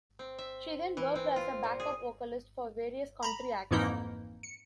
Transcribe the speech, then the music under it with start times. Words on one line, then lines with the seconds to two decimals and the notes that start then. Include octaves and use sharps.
She then worked as a backup vocalist for various country acts.
0.19 C4
0.39 E5
0.97 E3
1.16 C4
1.36 F4
1.64 A#2
1.80 G#4
3.23 A#5 B5
3.71 F2 G#2 E3 A#3 D#4
4.43 C#7